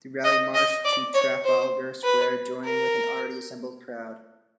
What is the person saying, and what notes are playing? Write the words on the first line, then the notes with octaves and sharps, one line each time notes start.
The rally marched to Trafalgar Square, joining with an already assembled crowd.
D#5
D#5
D5
C#5
C5
B4
A#4